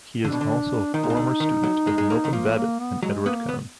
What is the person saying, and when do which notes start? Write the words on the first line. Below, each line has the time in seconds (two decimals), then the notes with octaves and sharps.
He is also a former student of Milton Babbitt and Edward Cone.
0.24 D3 D4
0.32 B2
0.41 D3
0.94 D#3 D#4
1.03 A#2
1.10 B2
1.17 D3
1.40 D#3
1.64 F#3
1.87 G#3
1.98 G#3
2.10 A#3
2.25 D#3
2.33 F3 A#3
2.57 A#3
2.79 B3
3.02 F#3 G#3
3.25 A#3 B3
3.49 B3